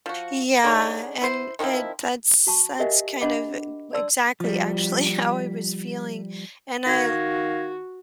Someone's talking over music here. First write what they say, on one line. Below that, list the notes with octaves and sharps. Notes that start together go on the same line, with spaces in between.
Yeah, and it that's that's kind of e exactly actually how I was feeling. And I
F3 F#4
D3 G#3 D#4 C#5
E4 C5
D#3 F3 C4 E4
F#4 A5 C#6
G4 A#4 D#5 E5 F#5 G#5
D4 D#5 F#5 B5 D6
D5 A5 C6 E6
F3 G3
D#3 F#4 F5 G#6 A#6